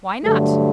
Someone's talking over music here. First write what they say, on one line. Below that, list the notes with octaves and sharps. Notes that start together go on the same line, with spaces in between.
"Why not?"
G2 D3 F#3 A3 A4